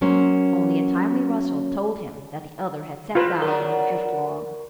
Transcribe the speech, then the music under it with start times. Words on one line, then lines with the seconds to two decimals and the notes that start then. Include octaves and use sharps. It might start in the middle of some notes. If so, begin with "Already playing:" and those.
Only a timely rustle told him that the other had sat down on a drift log.
0.01 F#3 A#3 C#4 C5
3.15 G#3 C4 F4 B4
3.42 F#3 B3 D4 A#4